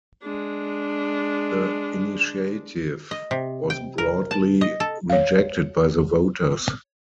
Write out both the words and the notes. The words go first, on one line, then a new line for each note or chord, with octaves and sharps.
The initiative was broadly rejected by the voters.
G#3 D4
D#5
C3
G5
A#4
A5
D#5
A4
C#5 F5